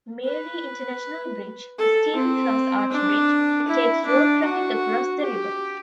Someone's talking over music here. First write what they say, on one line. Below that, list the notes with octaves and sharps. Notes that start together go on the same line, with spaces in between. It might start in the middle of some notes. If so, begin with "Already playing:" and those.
Marie International Bridge, a steel truss arch bridge, takes road traffic across the river.
B4
A4
C4
D4
E4
D4
F#4
G4